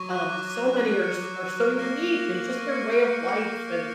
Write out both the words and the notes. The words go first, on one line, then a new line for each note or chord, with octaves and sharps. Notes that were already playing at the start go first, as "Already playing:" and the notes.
um, so many are s are so unique and just their way of life and,
Already playing: F#3 F#4 C#6
F#6
D6
D6
F#6
F#6
C#7
D6
C#7
D6
A#3 A#4 A#6
F#7
A#6
F#7
C#6
C#7
G6
C#7
C#7